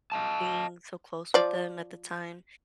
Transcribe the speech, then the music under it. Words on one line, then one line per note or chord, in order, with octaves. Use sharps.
being so close with them at the time,
D#5 F5 A5
F3 D5